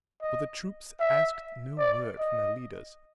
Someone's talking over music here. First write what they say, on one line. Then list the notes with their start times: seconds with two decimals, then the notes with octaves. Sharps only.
But the troops asked no word from their leaders.
0.22 D#5
1.00 E5
1.79 D5
2.19 D#5